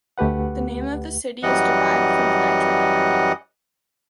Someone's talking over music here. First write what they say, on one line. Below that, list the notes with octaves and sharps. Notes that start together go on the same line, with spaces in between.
The name of the city is derived from the Nitra river.
D2 A3 G4 B4 F#5
F#2 E3 G3 D#5 F#5